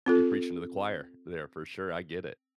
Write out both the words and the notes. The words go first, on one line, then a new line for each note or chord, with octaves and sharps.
you're preaching to the choir there for sure, I get it.
C4 F4 A4